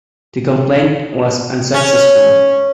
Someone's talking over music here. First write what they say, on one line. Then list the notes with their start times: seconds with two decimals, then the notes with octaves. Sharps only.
The complaint was unsuccessful.
1.74 C#4